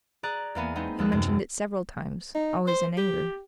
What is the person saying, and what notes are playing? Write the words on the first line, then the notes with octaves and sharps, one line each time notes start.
"He mentioned it several times, always in anger."
G#4 D5 A#5 F#6
E2 A#3 B3 G#5
G#3 B3 C4 D#4
D#2 F3 G#3 E6 F#6
F#2 C3
D#4
C5
G4